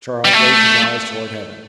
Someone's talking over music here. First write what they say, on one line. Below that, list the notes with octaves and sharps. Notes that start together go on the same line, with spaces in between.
Charles raised his eyes towards heaven.
G3
A3